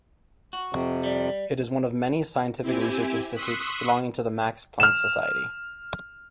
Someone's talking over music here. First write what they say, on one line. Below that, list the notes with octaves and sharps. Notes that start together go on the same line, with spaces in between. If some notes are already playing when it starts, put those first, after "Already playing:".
It is one of many scientific research institutes belonging to the Max Planck Society.
F#4
F2 C3
G3
C4 E4 G4 G#5
C6 C#6 D#6 E6 F#6 B6
F6 E7